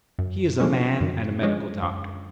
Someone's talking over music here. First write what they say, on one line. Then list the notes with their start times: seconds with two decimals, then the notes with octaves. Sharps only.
He is a man and a medical doctor.
0.19 F#2
0.60 D3 F3 G#3 C#4
1.00 F#2
1.41 D3 F3 G#3 C#4
1.82 F#2